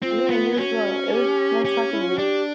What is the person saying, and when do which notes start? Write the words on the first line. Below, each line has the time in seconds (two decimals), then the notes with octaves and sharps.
Yeah, you as well. It was nice talking to you.
0.02 C4 F4
0.30 B3
0.57 C#4 F#4
1.11 G4
1.65 C#4
1.92 E4
2.01 F4
2.09 F#4
2.18 D4 G4